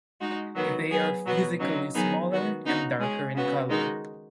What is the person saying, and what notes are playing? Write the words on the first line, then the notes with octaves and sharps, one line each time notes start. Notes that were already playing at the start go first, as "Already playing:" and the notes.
They are physically smaller and darker in color.
G#3 D#4 F#4
D#3 F#3 B3 F#4
F#3 B3 G#4
B2 F#3 B3 F#4
C#3 F#3 D#4
D#3 F#3 B3 D#4 G#4
D#3 B3 F#4
C#3 B3 D#4 F#4
G#3 C#4 G#4
C#3 B3 F#4
D#3 G#3 D#4 F#4